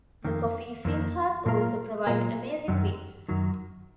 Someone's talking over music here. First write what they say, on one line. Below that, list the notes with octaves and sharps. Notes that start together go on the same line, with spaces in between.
The coffee "Fincas" also provide amazing views.
F2 D#3 A#3
F2 D#3 A#3
A#2 F#3 A#3 F4 A#4
A#2 F#3 A#3 F4 A#4
F#2 D#3 F#3
F#2 D#3 F#3